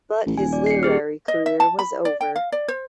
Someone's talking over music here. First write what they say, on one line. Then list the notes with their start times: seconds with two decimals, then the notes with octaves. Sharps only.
But his literary career was over.
0.26 A1
0.37 D#1 G#5
0.53 D5
0.66 C7 C#7
0.83 G4 G#4 F6
1.28 D#5
1.46 E5
1.60 A5
1.79 B5
2.05 D5
2.21 G5
2.36 F5
2.52 D5
2.68 C5